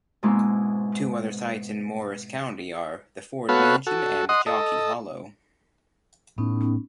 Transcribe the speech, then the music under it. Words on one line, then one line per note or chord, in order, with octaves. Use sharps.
Two other sites in Morris County are the Ford Mansion and Jockey Hollow.
G#2 B2 G#3 A#3 C4 E4
B3 F#4 A4 B4 C#5 F5
F#4 A4
D#5 F#5 C6 D#6
A4 D#5
A2 B3 C#4 D#4